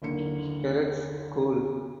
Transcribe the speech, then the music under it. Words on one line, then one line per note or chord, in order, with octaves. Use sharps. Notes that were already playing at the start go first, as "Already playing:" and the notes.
Peretz School.
F#1 D#2 D3 A#3 C#7